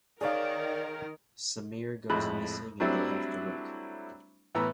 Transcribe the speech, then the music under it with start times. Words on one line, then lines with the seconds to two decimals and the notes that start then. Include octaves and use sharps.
Sameer goes missing and they have to work.
0.21 D#3 G#4 A#4 C#5 D5 F5
2.10 F2 A2 G#3 B5 F#6
2.80 F#3 G3 A3 C4 D4 E4
4.55 A2 E3 B3 A#5 E6